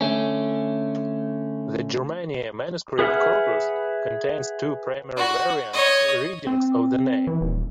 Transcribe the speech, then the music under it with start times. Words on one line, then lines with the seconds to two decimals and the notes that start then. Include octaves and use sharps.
The "Germania" manuscript corpus contains two primary variant readings of the name.
0.01 D3 A3 C#4
2.99 G#4 B4 E5 F#5 F6
5.17 F#4
5.73 C#5 D#5
6.47 C4
7.27 E3
7.41 D#1